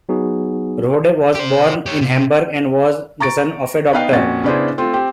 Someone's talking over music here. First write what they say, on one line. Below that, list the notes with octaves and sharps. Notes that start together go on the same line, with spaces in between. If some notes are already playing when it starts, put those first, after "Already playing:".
Rohde was born in Hamburg and was the son of a doctor.
F#3 B3 D#4 F#4 G#4
G4 C5
G4 C#5
C3
A#5 C#6 A6 D7
B3 D#4 B4 F5 G5
F2 A#2 C#4 F#4 A6
C#3 B3 D4 E4 G#4 C5
A3 C4 F4
C4 G4